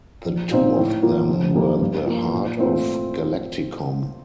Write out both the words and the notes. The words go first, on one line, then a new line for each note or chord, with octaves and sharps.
The two of them were the heart of Galacticomm.
A#1
A#2 F3 C4 D#4
A2
F3 A#3 F4
F1
D#2 D#3 G3 A#3
G2
F3 A#3
A#2
A3 C4 F4